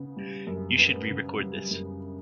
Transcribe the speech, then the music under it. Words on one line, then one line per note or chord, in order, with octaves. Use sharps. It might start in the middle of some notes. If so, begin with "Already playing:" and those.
You should re-record this.
Already playing: C#3 B3
G3
F#2
B3
C#3
G3
F#2